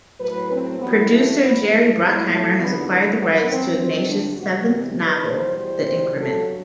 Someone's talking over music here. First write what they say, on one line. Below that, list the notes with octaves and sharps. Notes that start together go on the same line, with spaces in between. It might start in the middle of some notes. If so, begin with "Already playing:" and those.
Producer Jerry Bruckheimer has acquired the rights to Ignatius's seventh novel, "The Increment".
A2 F#3 B4
C4
F#2 E3 G3 B3
A3
E2 B2 F#3 B3
A3
A2 F#3 B3
A3
E2 D3 G3 B3
B3
F#2 F#3 B3
C4
D2 D3 F#3 C4
D4
E2 C3 E3 G3 F#4
E2 B2 F#3 B4
C5
E2 B2 G3 C5
G2 F#3 A4